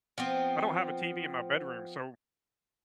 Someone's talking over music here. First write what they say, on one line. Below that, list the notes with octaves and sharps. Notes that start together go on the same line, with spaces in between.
I don't have a TV in my bedroom, so,
F3 B3 C4